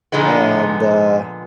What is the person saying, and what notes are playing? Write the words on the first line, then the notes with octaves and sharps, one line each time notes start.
and, uh,
A#2 D3 F3 G#3 B3